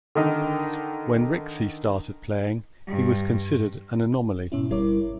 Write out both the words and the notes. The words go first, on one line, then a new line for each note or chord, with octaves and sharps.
When Rixey started playing, he was considered an "anomaly".
D3 D#3 D#4
G2
G#2 B2 C#4 E4
G1 G3 E4 A#4 C#5 D6